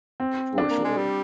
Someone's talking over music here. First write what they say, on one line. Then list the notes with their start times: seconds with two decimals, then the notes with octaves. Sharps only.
Sure, sure.
0.20 C4
0.58 D4
0.71 A#3
0.84 G#3
0.97 G3